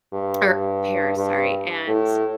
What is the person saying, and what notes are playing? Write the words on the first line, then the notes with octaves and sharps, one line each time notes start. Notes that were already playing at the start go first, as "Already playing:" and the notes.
or, Paris, sorry, and
G2
G2
G2
A2